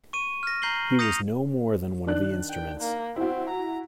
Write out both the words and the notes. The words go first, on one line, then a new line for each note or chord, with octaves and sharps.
He was no more than one of the instruments.
C#6 D#7
F6 A#6
A#5 G6 C7 F#7 G7
D#6 G6 A#6 C#7 D#7 F7
D#3 D4 F#6
G5
A#3
C4 E4 F#4
A#5